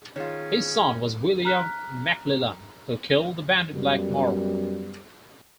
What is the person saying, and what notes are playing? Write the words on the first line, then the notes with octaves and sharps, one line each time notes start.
His son was William Maclellan, who killed the bandit Black Morrow.
D#3 C#4 F4 G#4 C#5
A#5 F6 F#6 B6
F#2 G3 B3